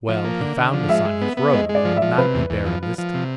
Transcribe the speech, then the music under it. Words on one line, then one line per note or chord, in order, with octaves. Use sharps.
Well, he found us on his road and will not be baron this time.
F3
A#3
D3
D3
F3
G#3 E5
G#3
B3
B3
G#3 D#5
G#3
D5
F3
E5
F3
C3 B4
E2
E2
F3
F3
F3
C3